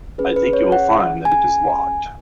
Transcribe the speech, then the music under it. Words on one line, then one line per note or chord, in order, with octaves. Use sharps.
I think you will find that it is locked.
C#4 G#4 B4
B4
C#5
F#5
G#5